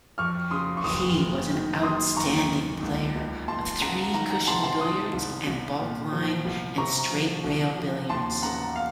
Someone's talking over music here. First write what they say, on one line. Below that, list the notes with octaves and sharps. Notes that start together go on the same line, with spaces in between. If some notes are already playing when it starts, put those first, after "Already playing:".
He was an outstanding player of three-cushion billiards and balkline and straight rail billiards.
F2 C#6 F6
C#3 C6 D#6
C#6
F#1 C6 D#6
F#1
D#3
D#3 C6 D#6
D#2 A#5 C#6
D#3
C#2
C#2
C#2 A5 C6
C#3 F#5 A#5
D#3 F#5 A#5
F#5 A#5
C3 A5 C6
A5 C6
D#3 C6 D#6
C2
C2
A#2
F3
C2
C3 A#5 C#6
F3
C2
F3
D#2 A5 C6
C#3 F#5 A#5
F5